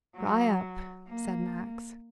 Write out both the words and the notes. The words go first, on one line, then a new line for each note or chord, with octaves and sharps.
"Dry up," said Max.
F#3
A#3